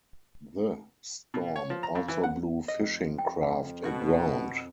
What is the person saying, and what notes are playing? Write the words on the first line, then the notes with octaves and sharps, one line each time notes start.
The storm also blew fishing craft aground.
B2
C#5
F3
A#5
F2
E3
F#5
F2 D#5
G5
B2 D#3 F#4